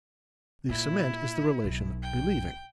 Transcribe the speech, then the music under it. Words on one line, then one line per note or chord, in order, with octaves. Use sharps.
The cement is the relation 'believing'.
A#2 E4
B1
G5